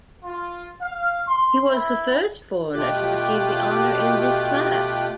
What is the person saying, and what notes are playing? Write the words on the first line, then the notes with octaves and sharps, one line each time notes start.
He was the first foreigner to receive the honor in this class.
F4
F5
C6
E4
B2 A3 F4 G4 D6 F#6